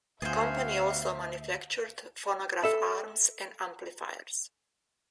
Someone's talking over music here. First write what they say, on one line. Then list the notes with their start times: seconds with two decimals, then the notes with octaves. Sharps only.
The company also manufactured phonograph arms and amplifiers.
0.22 D2 B3 F#4 G#4 C5 E5 F5
2.63 A4 E5 B5